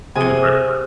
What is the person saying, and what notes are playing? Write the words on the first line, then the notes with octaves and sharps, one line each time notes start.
In the first
C3 G#4 G#5